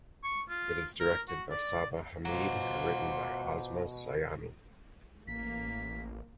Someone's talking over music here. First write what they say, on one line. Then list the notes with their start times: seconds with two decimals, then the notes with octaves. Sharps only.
It is directed by Saba Hameed and written by Asma Sayani.
0.24 C#6
0.49 F4
1.00 A#4
1.29 F#4
1.50 D5
2.25 B2 F4 C5 F#5 A#5 D6
5.28 A1 A#3 B6